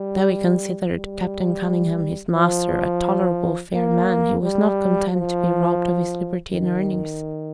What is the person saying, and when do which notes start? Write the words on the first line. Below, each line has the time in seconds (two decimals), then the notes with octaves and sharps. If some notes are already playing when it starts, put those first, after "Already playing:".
Though he considered Captain Cunningham, his master, a "tolerable fair man," he was not content to be robbed of his liberty and earnings.
Already playing: G3
0.96 G3
2.35 F3
3.74 A#3
4.43 G3
5.12 F3
6.51 D#3